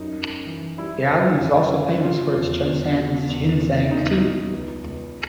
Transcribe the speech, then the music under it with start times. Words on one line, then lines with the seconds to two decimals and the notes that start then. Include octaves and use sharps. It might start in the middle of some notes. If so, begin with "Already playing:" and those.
The island is also famous for its Junshan Yinzhen tea.
Already playing: F#2 G3 D#4
0.16 F#2
0.46 E3
0.78 G3 E4
1.09 F#2
1.41 F#2
1.71 C#3
2.03 B2 F4
2.35 E2
2.66 E2
2.96 B2
3.29 E2
3.60 E2
3.91 E2 D#4
4.23 E2
4.53 C#2
4.84 C#2